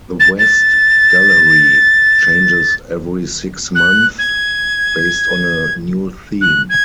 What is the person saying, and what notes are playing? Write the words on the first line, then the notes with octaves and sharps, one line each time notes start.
The West Gallery changes every six months based on a new theme.
A6
A6
F#6
G#6
F#6
G#6